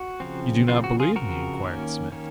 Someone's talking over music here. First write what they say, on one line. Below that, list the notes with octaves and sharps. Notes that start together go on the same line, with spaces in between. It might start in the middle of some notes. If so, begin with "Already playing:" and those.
"You do not believe me?" inquired Smith.
Already playing: F#4
C#3 F3 C4
C#3 F3 C4 F4
F#4
F4 G#4
C#3 F3 C4 F#4 A#4
D#3 A#3 C#4
D#3 A#3 C#4